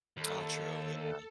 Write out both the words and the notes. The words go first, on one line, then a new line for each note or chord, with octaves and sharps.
All true. Yeah.
D#2 A4